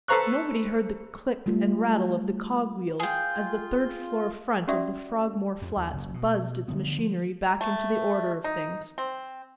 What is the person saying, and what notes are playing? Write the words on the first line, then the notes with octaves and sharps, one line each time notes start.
Nobody heard the click and rattle of the cog-wheels as the third-floor front of the Frogmore flats buzzed its machinery back into the Order of Things.
A4 B4 C5 A#5 C#6 F#6
G3 A3 F4
F4 G#4 G5
C#4 F#4 D5 E5 F#5 D#6
F2
D#2
F#1 F#2
B2
D3 F3 B3
F3
A3
D#4
C4